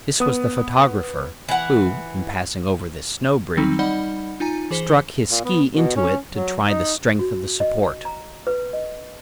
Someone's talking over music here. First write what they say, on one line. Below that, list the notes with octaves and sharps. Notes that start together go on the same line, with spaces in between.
This was the photographer, who, in passing over this snow-bridge, struck his ski into it to try the strength of the support.
B3 D#6
E3 F#5
D#3 F#3 G3 C4 D#4
G3 D#4 D5 D#5 F#5 B5
D#4 F4 G#5 A#5 D#7
E3 G#4 C5 B6 C#7 G7
A#2
B3
B2
C#4
F#3
D#4
F#4
D#5
A#5
B4
D#5